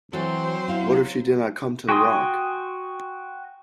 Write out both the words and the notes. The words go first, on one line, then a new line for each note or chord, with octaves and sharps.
What if she did not come to the rock.
E3 F#3 C4 F#4 A4 C5
E4 F5
F#4 G5 G#5 C6 D#6